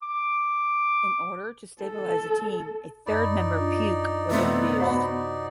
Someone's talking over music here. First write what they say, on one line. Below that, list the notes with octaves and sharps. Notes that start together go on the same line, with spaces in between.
In order to stabilize the team, a third member, Puke, was introduced.
D6
A4
F#2 D#4 D5 B5
D4 F4
C3 A3 B3 C4 A6
F#4 C5 B5